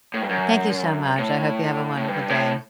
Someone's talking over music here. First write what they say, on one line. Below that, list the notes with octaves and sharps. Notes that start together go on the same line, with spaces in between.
Thank you so much, I hope you have a wonderful day,
A2
G2
F#2
A2
A2
G2
A2